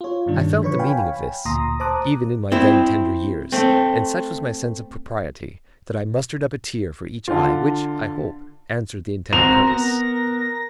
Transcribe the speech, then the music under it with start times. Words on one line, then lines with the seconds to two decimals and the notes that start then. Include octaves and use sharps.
I felt the meaning of this, even in my then tender years; and such was my sense of propriety, that I mustered up a tear for each eye, which, I hope, answered the intended purpose.
0.01 F4 C#5
0.26 G2 A#2 D#3 G3 D4
0.62 D3 F3 B4 C#5 C#6
0.79 C#5 F5 G5 G#5 B5
1.45 D2 A#2 A#5 C6 D#6 A#6
1.80 C5 A5 A#5 D6 D#6 F#6
2.52 C4 E4
3.52 A3 C4
7.28 D3 F4
9.33 C4 F#4 A#4 C5 A#5 F7
9.67 B3 A#4 A#6